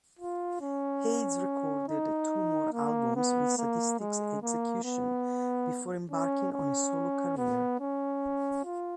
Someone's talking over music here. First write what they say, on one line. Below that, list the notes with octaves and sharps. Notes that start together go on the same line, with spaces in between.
Hades recorded two more albums with Sadistik Exekution before embarking on a solo career.
F4
C#4
D#4
A#3
B3
A#3
G#3
A#3
B3
C#4
C#4
B3
C#4
F4